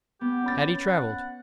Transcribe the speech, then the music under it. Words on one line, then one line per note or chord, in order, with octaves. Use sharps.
Had he travelled?
B3 G4
C#4 B5 A6
F#5